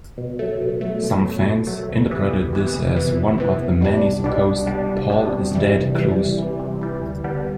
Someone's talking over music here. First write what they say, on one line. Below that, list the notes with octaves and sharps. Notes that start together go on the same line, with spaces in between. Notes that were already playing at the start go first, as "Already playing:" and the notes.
Some fans interpreted this as one of the many supposed "Paul is dead" clues.
B2
F#3 A3
B2
F#3 A3
B2
F#3 A3
B2
F#3 A3
D2
C3 E3 B3
D2
C3 E3 B3
D2
C3 E3 B3
D2
C3 E3 B3
C2
B2 G3 D4
C2
B2 G3 D4
C2
B2 G3 D4
C2
B2 G3 D4
C3
E3 G3
C3
E3 G3
C3
E3 G3
C3
E3 G3
D2
D3 G3 B3